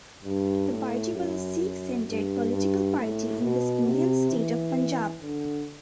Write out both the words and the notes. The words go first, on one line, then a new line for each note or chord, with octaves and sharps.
The party was a Sikh-centered political party in the Indian state of Punjab.
G2
A2
F#2
F#2
G2
G2
A2
B2
C3
E3
D3